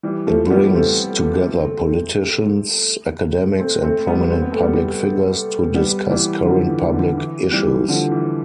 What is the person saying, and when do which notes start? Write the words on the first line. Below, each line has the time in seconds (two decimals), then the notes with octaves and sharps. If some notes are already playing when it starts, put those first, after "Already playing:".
It brings together politicians, academics and prominent public figures to discuss current public issues.
0.03 E3 G3
0.27 F3 A3
0.50 G3 B3
0.75 A3 C4
3.59 A3 C4
3.83 A3 C4
4.07 G3 B3
4.31 C4
4.42 B3
4.52 A3
4.62 G3 B3
5.74 G3 B3
6.10 E3 G3
6.45 D3 F3
6.69 E3
6.93 D3
7.17 E3
7.52 E3 G3
7.88 D3 F3
8.11 E3